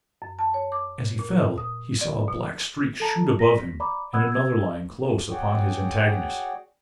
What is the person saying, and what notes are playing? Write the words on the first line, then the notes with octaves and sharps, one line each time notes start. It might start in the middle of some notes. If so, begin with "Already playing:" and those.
As he fell he saw a black streak shoot above him and another lion close upon his antagonist.
F#2
A5
C#5
D6
A#2
D#6
D5
B2
A4 A5 A#5
A#6 B6
D5 A#5 B5 D6
F#5 B5 D#6 E6 F#6 G#6
E6 G#6
F#4 G#4 C#5 D5 F#5 G5